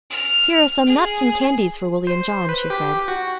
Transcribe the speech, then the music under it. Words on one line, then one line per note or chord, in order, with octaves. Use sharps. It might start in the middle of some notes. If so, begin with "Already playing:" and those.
"Here are some nuts and candies for William John," she said.
F6
G#4
C5
B4
G4
F#4